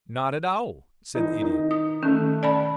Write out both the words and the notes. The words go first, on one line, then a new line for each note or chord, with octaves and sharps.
"Not at all," said the Idiot.
E3 D#4
D#3 D#4
D#6
D#3 A3 C#4 F#6
D5 A5 B5